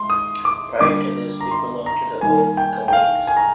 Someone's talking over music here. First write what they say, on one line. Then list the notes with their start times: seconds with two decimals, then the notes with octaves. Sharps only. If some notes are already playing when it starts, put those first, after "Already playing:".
Prior to this, it belonged to the O'Cowigs.
Already playing: G#3 C6
0.10 D#6
0.45 D6
0.80 D3 G3 A#3 D6
1.41 A#5
1.51 C6
1.86 A#5
2.21 D#3 G3 A#3 G#5
2.57 G5
2.88 G5
2.93 F5
3.27 G#5
3.37 A#5